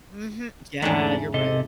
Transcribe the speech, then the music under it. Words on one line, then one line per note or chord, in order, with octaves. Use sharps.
Mhm, yeah, you're right.
E2 G#2 A3 C#4 D4
C3 A4 D#5